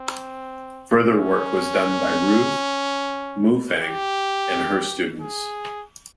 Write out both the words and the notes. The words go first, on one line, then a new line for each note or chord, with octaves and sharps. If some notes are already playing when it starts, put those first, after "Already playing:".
Further work was done by Ruth Moufang and her students.
Already playing: C4
C#4
G4
G#4